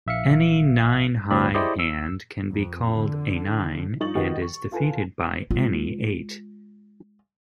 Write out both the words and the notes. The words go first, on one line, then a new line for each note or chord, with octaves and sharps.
Any nine-high hand can be called "a nine", and is defeated by any "eight".
A#1 E5 F5 C#7
D2 A2 C4 D5 B5
E4 G4 G#4 C5 D5 D#5
E6
F2
D3
G2 F3 D#4 C#6 A6 F#7
D#3 F3 F#4 G4 B4 D#5
C#6
E4 F4 A4 B4 G#5
G#3 F4